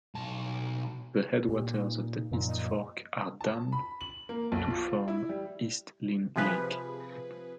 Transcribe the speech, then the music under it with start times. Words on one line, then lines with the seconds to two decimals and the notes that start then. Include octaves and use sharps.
The headwaters of the East Fork are dammed to form East Lynn Lake.
0.15 B1 A5
1.49 A#2 G4
1.72 D#4
2.31 F#2 A#2 F3
2.47 D#5
3.41 A5
3.72 B5
4.01 F#7
4.29 A#3
4.52 B1
4.70 F4
5.08 E4
5.29 G3
6.36 C3 F3 G#4 B4